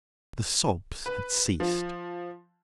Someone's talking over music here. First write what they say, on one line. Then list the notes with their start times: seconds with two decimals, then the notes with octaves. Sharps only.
The sobs had ceased.
1.06 B4
1.60 F3